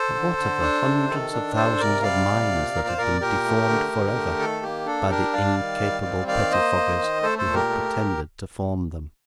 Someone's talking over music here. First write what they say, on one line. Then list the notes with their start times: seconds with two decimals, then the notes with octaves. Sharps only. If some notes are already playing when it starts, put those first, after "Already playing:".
But, what of the hundreds of thousands of minds that have been deformed for ever by the incapable pettifoggers who have pretended to form them!
Already playing: A4 C5
0.15 D3
0.38 D3
0.62 D4
0.85 C3
1.09 D#3 A4
1.33 D4
1.55 C3 A4 C5
1.79 C3 A#4 D5
2.03 G3 D5 F5
2.27 C3
2.51 A#2
2.74 A#2 A#4
2.87 C5
2.98 A#2 A#4 D5
3.21 A#2 G4 A#4
3.45 A3
3.68 D3
3.92 D3
4.15 A3
4.39 D#3 A4
4.62 A#3 G4
4.86 D4 A4
5.09 D4 G4 A#4
5.33 G3 D5 F5
5.58 D#3
5.81 G3
6.05 C4
6.27 D#3 D5 F5
6.51 A#3 C5 D#5
6.76 A#3
6.99 D#3
7.23 A3 A4 C5
7.38 A4 C5
7.46 A#2
7.54 G4 A#4
7.70 A3